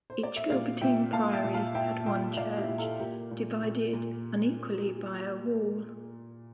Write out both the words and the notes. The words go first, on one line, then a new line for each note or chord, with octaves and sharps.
Each Gilbertine priory had one church, divided unequally by a wall.
C5
D5
E5
A#2 D5 F5
A#2 E5 G5
A#2 F5 A5
E5 G5
A#2
F5 A5
A#2 E5 G5
A#2 E5 G5
E5
A#2 D5 F5
E4 G4
A#2
F4 A4
A#2 G4 A#4
A#2
A#2
A#2